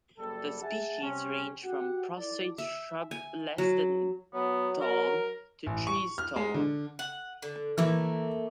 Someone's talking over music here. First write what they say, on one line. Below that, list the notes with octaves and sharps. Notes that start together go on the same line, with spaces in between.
The species range from prostrate shrubs less than tall to trees tall.
F#1 G3 A4
G#4 E5 F#5 G#5 A5
C3 G3 C4 C#4
F#4 G4 F#5
E4 F4 A4 D5
E5
G#5
F#3
F#3 B3
A#4
A1
C#6
F6
G#3
D3
F#5
D3
E3 A3 A#3